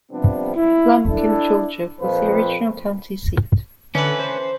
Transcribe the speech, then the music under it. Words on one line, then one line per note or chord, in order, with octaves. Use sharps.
Lumpkin, Georgia was the original county seat.
C3 F3 G3 B3 C4 D4
E4
D4 E4 A4
F2 A#2 F3 B4 C5
D3 E3 C#4 A4 B4
C5